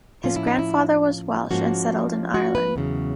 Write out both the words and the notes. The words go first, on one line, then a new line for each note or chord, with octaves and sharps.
His grandfather was Welsh and settled in Ireland.
A2 F3 A#3 C#4 F4
E4
D#4
E4
G#2 F3 A#3 C#4 F#4
F#4
B4
E2 C#3 F#3